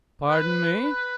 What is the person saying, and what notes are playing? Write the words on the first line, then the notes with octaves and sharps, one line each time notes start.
"Pardon me!"
B4
B4